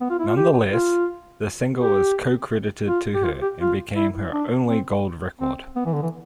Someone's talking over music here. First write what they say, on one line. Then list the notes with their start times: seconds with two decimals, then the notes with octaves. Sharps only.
Nonetheless, the single is co-credited to her and became her only gold record.
0.01 B3
0.10 F4
0.19 E4
0.27 F4
0.36 G4
0.72 F4
1.81 G4
2.88 F4
3.14 G4
3.24 F4
3.42 G4
3.61 F4
3.96 E4
4.33 D4
4.69 C4
5.41 C4
5.76 B3
5.85 E3
5.93 D3
6.02 E3